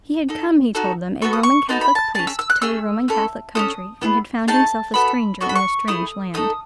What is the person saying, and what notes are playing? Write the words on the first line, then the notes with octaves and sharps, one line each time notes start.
He had come, he told them, a Roman Catholic priest to a Roman Catholic country, and had found himself a stranger in a strange land.
D#4 A4
D#4 F#4 A4
B3 F#4 A4 C#6
D#6
C#6
B3 D#4 F#4 A4 A5
B5
A5
C#4 G#4 A5
E6
E6
F#6
A3 C#4 G#4 E6
C#4 E4 A4
C#4 F#4 A4 D#6
B3 E4 G#4
A3 D#4 G#4 A5
B3 F#4 A4 B5
B3 F#4 A4 C#6
B5
C#6
A3 E4 G#4 D#6
A3 D#4 A4 D#6